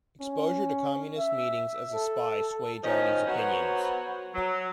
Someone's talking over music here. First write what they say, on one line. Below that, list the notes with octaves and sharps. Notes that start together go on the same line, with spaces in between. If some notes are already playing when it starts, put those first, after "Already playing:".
Exposure to Communist meetings as a spy sway Johnny's opinions.
C#4
E5
A4
D#3 F3 C#4 D#4 D#5
F#3 B3 F#4 C5 C#5
F#3